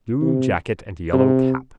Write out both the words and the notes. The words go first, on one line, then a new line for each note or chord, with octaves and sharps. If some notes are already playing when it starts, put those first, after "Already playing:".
Blue jacket and yellow cap.
C3
C3